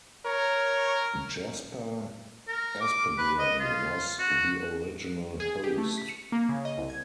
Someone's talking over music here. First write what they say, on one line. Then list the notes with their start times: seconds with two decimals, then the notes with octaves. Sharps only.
Jesper Aspegren was the original host.
0.26 A#4 C#5
2.47 A#4
2.80 D6
3.17 B4
3.38 D#5
3.59 F4
4.19 F#4
5.40 G#4
5.64 G4
5.78 A3
5.98 B6
6.09 C#7
6.32 A#3
6.49 C#3
6.65 D#5
6.78 C2
6.90 G#6